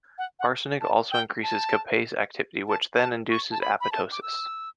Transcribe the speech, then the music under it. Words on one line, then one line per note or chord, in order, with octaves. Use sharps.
Arsenic also increases caspase activity which then induces apoptosis.
F#5
F#5
A5
G5
A5
A5
A5
C#6
A5
B5
B5
A5
D6
E6